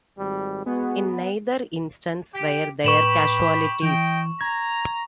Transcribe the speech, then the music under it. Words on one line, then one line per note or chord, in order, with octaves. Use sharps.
In neither instance were there casualties.
G#1 G3
G#3 B3 F#4 G#4
G4
A2 G4 B4 B5 C#6 E7 F#7
E3 D#5 G5
A#5 G#6